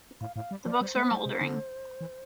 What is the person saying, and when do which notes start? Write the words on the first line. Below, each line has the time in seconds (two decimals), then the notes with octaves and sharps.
The books were mouldering.
0.21 A2 F5
0.36 A2 F5
0.51 G3
0.66 F3 D5
0.81 G3 C5
0.96 A3
1.11 G3
1.26 C3
1.41 D3
2.01 E3